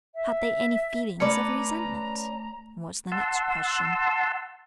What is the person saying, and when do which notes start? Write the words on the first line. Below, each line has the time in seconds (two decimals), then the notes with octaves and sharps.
"Had they any feelings of resentment?" was the next question.
0.15 E5
1.20 A3 C#4 B4 D5 A#5
3.12 F#5 A5 C6 E6